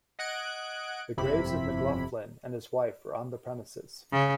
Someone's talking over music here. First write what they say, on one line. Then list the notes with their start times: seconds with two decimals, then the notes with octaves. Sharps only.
The graves of McLoughlin and his wife are on the premises.
0.19 D#5 F#5 F#6 G#6 D7
1.17 G1 F2 C3 E4 B5
4.12 C#3